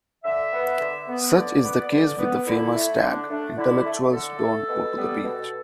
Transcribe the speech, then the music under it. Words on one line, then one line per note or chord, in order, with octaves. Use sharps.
Such is the case with the famous tag: Intellectuals don't go to the beach.
D3 E5
B3
D3
B3
D3 D5
B3
D3
B3
D3 E4
A3
D3 D4
A3 D4
D3 E4
A3
D3 A4
A3
B2
G3 B3
B2